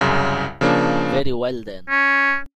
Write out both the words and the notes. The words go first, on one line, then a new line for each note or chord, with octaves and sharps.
Very well, then.
C2 F#2 C#3
C#3 F3 A#3 D4
C#4